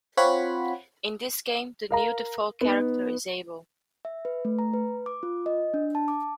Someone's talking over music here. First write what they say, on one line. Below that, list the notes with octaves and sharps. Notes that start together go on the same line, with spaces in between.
In this game, the new default character is Abel.
C4 F4 C#5 F#5 B5
A#4 F5 A#5
B3 D#4
E5
B4
A3
A#5
B4
D6
F4
D#5
D4
A5
D6